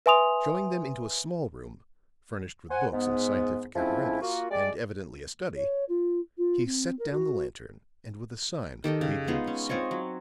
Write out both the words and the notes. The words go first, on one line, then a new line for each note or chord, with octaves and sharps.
Showing them into a small room furnished with books and scientific apparatus and evidently a study, he set down the lantern and with a sign bade them be seated.
B4 E5 G#5 C6 D#6 F7
C5 F#5 G#5
G#2 B3
F3 G#3 A3 C4 C#4 E4
A#3 F4 F#4
G3 G#3 G4 D5
C#5
F4
F4
C4
A#4
F#4
D#3 G4 A4 D#5
C#3
G#3 B3 D#4 F4
C#4
C4 F4 C#5 D#5
F#3